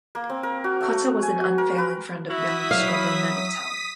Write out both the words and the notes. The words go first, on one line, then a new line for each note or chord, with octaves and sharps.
Cotta was an unfailing friend of young struggling men of talent.
A#3
C4
A#4
F#4
A3
A3
G#5
F#4
A#4
B4
E4 F#4 E5 D#6 B6
F#3 F5